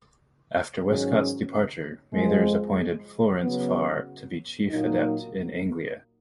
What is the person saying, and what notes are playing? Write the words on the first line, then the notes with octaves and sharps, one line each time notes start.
After Westcott's departure, Mathers appointed Florence Farr to be Chief Adept in Anglia.
G#2 D#3 F#3 C#4 G#4
F2 F3 G#3
C#3 F#3 B3
A#2 F#3 A#3 D#4